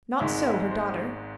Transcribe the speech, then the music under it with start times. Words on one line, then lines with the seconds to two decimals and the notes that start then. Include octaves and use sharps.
Not so her daughter.
0.20 G#1 G#2 G#3 E5
0.46 E5
0.71 C5